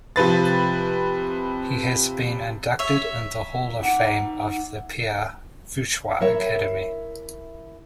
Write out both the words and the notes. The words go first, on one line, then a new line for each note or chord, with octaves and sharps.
He has been inducted in the hall of fame of the Pierre Fauchard Academy.
C3 F3 B4 A6
C#5 E5
D#4 F#5
E4 A#4 C#5 E5